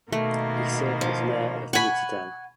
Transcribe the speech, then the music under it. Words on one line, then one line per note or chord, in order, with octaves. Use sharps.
He served as mayor of Nittedal.
B2 D#3 A3 A#3
F3
F#5 G#5 B5 C#6